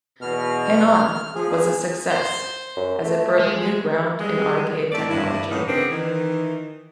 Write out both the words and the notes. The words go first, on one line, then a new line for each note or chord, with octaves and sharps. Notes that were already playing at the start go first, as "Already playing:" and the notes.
"Hang-On" was a success as it broke new ground in arcade technology.
E2 B2 F6
F3 G#4
C5
F#2
A3
G#3
G3 G#3
A2 A3 C4 D5
G2 E4
A2 A#3 B3 C#4 D#4
C#3 B3 C4 D4 A#4
D#3 E3